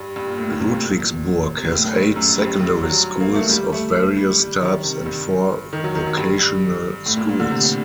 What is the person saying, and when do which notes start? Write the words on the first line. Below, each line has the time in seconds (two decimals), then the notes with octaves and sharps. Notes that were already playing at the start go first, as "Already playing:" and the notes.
Ludwigsburg has eight secondary schools of various types and four vocational schools.
Already playing: G2
0.16 G2
0.27 A#2
0.37 A2
0.50 A#2
0.60 C3
0.71 A#2
1.56 C3
1.65 A#2
1.72 A2
1.94 G2
2.16 F#2
2.39 G2
2.61 G2
2.83 F#3
3.20 A#3
3.35 A3
3.50 G3
3.72 A3
3.95 A3
4.17 G3
4.40 G3
4.61 D#3
4.83 C3
5.06 G2
5.73 D#3
5.84 F#3
5.95 D#3
6.06 F#3
6.17 G2
6.39 G2
7.06 A2
7.17 A#2
7.29 A#2
7.40 D3
7.50 C3